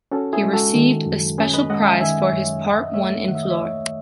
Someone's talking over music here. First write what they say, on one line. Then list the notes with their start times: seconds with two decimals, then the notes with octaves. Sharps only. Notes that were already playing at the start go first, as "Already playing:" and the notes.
He received a special prize for his part won in Flohr.
0.12 C#4 F#4 A4
0.33 E4 G#4
0.43 G#3
0.53 F#4 A4
0.75 D#3
1.06 F#2
1.38 C#4 G#4 B4
1.54 B4 D#5
1.70 G#3 D#5 F#5
1.85 E5 G#5
2.01 D#3 E5 G#5
2.22 C#5 E5
2.33 F#2
2.65 D#2 F#5
2.74 E5
2.84 D#5
2.94 A3 C#5 E5
3.28 D#3 F#5
3.35 E5
3.43 D#5
3.50 C#5 E5
3.60 D#2